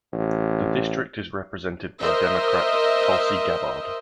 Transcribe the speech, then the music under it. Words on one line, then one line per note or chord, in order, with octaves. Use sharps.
The district is represented by Democrat Tulsi Gabbard.
A1
A#4 C5 D#5 E5